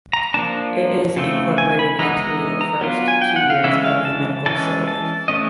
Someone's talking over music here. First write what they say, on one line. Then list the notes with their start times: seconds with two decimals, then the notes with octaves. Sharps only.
It is incorporated into first two years of the medical syllabus.
0.13 A#5
0.34 F3 A#3 D4 A5
1.16 C#3 F3 A3 C4
1.58 G#5
1.79 B5
1.99 E3 G#3 B3 D#4 A#5
2.20 A#5
2.61 A#5
2.81 F#3 B3 D4 F4
3.08 G#5
3.21 G5
3.36 F#5
3.50 F5
3.64 C#3 E3 G#3 C#4 E4 E5
3.84 F5
4.05 A5
4.46 E3 G#3 C#4 A5
4.88 A5
5.28 E3 A3 C#4 D#5